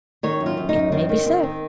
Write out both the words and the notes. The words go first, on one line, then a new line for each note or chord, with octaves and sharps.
It may be so.
D#3 C#5
F#2
F4
F#2
D#4
F#2
D#3 C4
D#3
D#3 C4
D#3